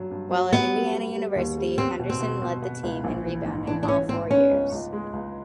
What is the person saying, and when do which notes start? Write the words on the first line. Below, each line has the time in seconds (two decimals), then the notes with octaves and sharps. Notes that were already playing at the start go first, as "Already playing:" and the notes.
While at Indiana University, Henderson led the team in rebounding all four years.
Already playing: G2 F#3
0.11 G2
0.31 F#3
0.53 G3 B3
0.73 G3
0.94 G3
1.16 G3
1.36 D#2
1.57 G3
1.78 B3 C4
1.99 B2
2.10 C4
2.20 B2
2.42 B2
2.62 B3
2.83 C#2
3.04 A#1
3.25 E3
3.46 G#2
3.67 E3 D4
3.83 D4
3.87 E3 C#4
4.09 G#2 C4
4.30 B3 C#4
4.51 C#2
4.72 C#2
4.93 G#3
5.13 C#2